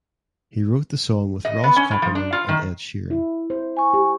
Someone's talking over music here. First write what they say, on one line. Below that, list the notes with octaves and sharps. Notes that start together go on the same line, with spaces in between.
He wrote the song with Ross Copperman and Ed Sheeran.
D#5
B3
C#4
A2
F3
D4
F4
D#3
E4
C5
G#5 C#6
G4